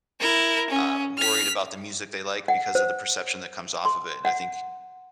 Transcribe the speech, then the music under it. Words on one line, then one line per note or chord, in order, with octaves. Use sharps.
uh, worried about the music they like because of the perception that comes off of it, and I think
E4 A#4
C#4
F6 B6
F#5
C5
C6
F#5